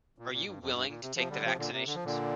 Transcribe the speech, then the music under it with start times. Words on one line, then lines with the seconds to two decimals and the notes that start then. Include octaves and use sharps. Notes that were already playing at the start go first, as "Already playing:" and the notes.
Are you willing to take the vaccinations?
0.18 A#2
0.33 A#2
0.46 G2
0.60 F2
0.74 G2
0.88 A#2
1.02 C3
1.16 C3 F3
1.30 D3 G3
1.44 C3 F3
1.58 A#2 D3
1.72 C3
1.86 D3
1.95 F3
2.04 A#2 D3